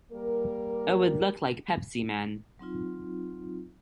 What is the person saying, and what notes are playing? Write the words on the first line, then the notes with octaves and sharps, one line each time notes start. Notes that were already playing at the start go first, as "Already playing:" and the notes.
It would look like Pepsi Man!
G3 A#3 A#4
F#3 C4 D#4 F4